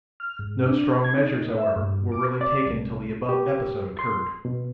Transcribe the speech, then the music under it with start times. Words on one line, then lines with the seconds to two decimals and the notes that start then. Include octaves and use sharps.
No strong measures, however, were really taken until the above episode occurred.
0.20 F6
0.39 G#2
0.66 D4
1.04 G#6
1.17 D#4
1.58 E5
1.76 G2
2.12 D6
2.41 D5
2.66 C2
3.29 G4
3.99 C6
4.45 B2